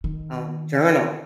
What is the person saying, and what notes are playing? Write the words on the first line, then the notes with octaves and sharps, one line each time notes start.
um, journal.
D#3